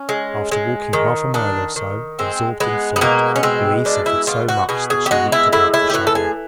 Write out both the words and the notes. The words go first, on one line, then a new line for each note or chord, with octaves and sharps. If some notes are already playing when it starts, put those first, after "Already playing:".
After walking half a mile or so, absorbed in thought, Louise suffered so much that she looked about for shadow.
Already playing: C#4
G#3
G#3
D#3
D#3 D4
D#3
G#3 C4
G#3 B3
B3
B2 A#3
C#4
G#3 C4
B2 D4
E4
B2 F4
F#4
B2 G#4
G#4
G4
G#3 F#4
E4
A2 E4
E4
G4
E3 F#4
A4
G#4